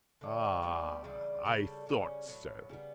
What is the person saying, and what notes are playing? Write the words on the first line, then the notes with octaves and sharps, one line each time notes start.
Ah, I thought so!
D3 G3 C#4
G3 B3 D4 G4
C#3 E3 G3 D4
C#3 G3 D4 A4
C#3 G3 C#4
A2 F#3 B3
C#3 G3 B3